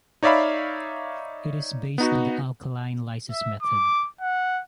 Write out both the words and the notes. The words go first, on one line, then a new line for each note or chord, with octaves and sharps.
It is based on the alkaline lysis method.
D#4 C#5 D5 E5 F5 B5
B3 D#4 F#4
E5
D6
F#5